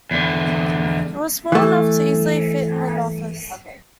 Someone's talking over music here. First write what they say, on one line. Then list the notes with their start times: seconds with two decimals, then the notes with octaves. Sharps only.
It was small enough to easily fit in an office.
0.11 E2 D3
1.52 E3 A3